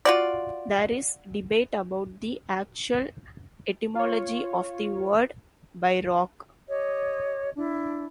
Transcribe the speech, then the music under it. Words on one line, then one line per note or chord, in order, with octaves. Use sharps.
There is debate about the actual etymology of the word "bierock".
F4 F#4 D5
F4 C#5
G4 C#5 D#5
D4 E4